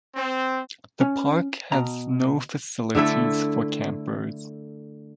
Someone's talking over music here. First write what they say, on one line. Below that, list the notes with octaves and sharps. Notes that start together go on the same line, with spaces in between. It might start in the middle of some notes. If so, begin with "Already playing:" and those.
The park has no facilities for campers.
C4
C#4
B2 A#5
D3 A3 E4 A4